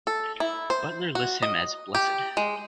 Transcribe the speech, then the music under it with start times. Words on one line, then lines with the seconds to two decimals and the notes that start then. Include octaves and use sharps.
Butler lists him as "blessed".
0.07 A4
0.40 E4
0.70 C5
1.15 F#4
1.42 D#5
1.95 G4
2.37 G#3